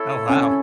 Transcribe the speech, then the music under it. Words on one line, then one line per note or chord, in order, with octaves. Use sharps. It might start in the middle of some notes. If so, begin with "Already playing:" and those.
Oh, wow.
Already playing: C4 E4 A4 C#5
C#4